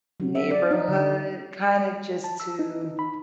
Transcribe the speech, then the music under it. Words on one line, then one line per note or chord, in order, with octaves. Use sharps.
neighborhood, kinda just to
F#3
E5
D5
D#4
D3
A5
E6
D#4
D#4
B5